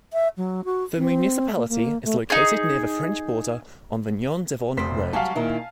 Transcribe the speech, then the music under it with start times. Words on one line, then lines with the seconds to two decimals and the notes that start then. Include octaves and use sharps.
The municipality is located near the French border on the Nyon-Divonne road.
0.13 E5
0.37 F#3
0.65 F#4
0.97 C4
1.56 A#3
1.69 A#3
2.05 A3
2.30 D#4 G#4
4.77 F1 D2 C5 B6
5.13 F#3 G3 F#4 F5 G#5 A5
5.35 A#2 D#3 E4